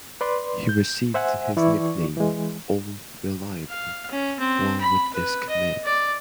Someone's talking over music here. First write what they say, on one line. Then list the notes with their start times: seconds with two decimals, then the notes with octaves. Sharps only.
He received his nickname, "Old Reliable", while with this command.
0.21 B4 D5 C6
0.69 G6
1.14 C5 E5 F#5 G#5
1.57 E3 E4 D5 C#6
2.17 E3 G#3
3.70 F5
4.11 C#4
4.39 C4
4.81 B5
5.13 B4
5.50 D#5
5.84 D5